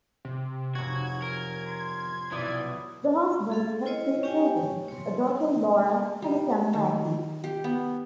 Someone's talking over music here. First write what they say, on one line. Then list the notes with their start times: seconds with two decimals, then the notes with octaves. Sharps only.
The Husbands have two children, a daughter Laura and a son Matthew.
0.25 C3
0.75 F1 F#4 C#5 G#6
1.22 A#4
1.67 C6
2.32 B1 B2 E3 D5 D#6
3.50 G#4 A4 F5
3.86 E4 F4 C5 C#5 D#5
4.23 C#4 G4 C#5 G5 G#5
4.88 C#5 C6
6.22 G3
6.73 D#3
7.44 G4
7.64 B3